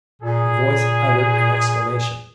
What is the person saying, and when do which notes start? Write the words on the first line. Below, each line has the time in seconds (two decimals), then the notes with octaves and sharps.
The voice uttered an exclamation.
0.22 A#2 G#4